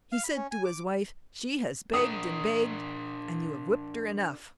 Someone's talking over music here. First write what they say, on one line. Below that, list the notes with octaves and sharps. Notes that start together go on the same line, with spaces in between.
He said to his wife she has begged and begged and you have whipped her enough.
F5
B5
C#4
G#5
D6
D4 A#4 D#6